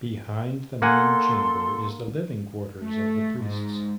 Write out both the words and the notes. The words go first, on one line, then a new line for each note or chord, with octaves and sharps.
Behind the main chamber is the living quarters of the priests.
A#3 A4 F#5 G#5 C6
A3
G#2